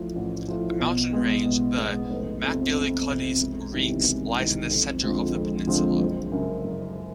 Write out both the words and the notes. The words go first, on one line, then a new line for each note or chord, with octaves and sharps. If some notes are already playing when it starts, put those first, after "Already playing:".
A mountain range, the Macgillycuddy's Reeks, lies in the centre of the peninsula.
Already playing: A1 A2 F3
A1
A2 F3
B2
G#3 B3
B2
G#3 B3
F1
F2 C3
F1
F2 C3
E1
E2 C3 D#3 G3
E1
E2 C3 D#3 G3
F2
D3 F3 G#3 C4
F2
D3 F3 G#3 C4
F#1
F#2 C#3
F#1